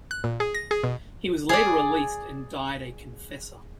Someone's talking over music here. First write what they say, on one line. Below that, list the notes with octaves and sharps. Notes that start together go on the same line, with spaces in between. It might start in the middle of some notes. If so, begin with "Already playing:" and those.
He was later released and died a confessor.
F#6
A#2
G#4
A#6
G#4
B2
G#4 D5